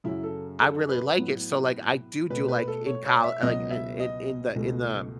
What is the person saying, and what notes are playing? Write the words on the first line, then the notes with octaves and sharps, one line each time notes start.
I really like it, so like I do do like in coll like, in in in the in the, um,
F#2 C#3 F#3 E4
A4
A4
B4
A2 F#3 B3
B2 A3 B4
B4
A4
C#5
C#5
E5
C#2 B2 F#3 B3 D#5
E5
D#5
C#2 B2 A3